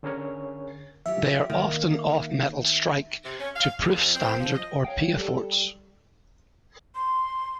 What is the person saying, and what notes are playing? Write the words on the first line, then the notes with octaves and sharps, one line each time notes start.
They are often off-metal strike, to proof standard or piedforts.
D3 C#4 G#4 A#4 C#5
F#3 F4 G4 E5
D#3 A#3
C3
C#4
F5
G#3
F2
C4
F3
D#5
C#5 F5 G5
G3 A4
C6